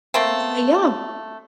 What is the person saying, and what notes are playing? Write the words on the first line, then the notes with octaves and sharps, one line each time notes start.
Uh, yeah.
A3 A#3 C4